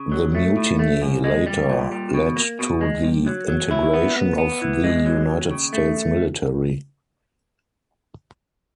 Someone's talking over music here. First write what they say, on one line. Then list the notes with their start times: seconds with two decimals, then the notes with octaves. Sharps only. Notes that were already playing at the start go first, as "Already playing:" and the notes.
The mutiny later led to the integration of the United States military.
Already playing: C#3
0.12 F#3
0.35 A3
0.57 A2
0.79 A3
1.01 F#2
1.24 G#3
1.46 G3
1.69 A#2
1.91 G3
2.14 B2
2.36 A#3
2.59 B2
2.81 G#3
3.04 G2
3.27 F#3
3.48 F#3
3.71 E4
3.94 B3
4.16 B3
4.38 B3
4.62 E3
4.84 G#3
5.06 F#3
5.28 D#2
5.51 C#3
5.73 A3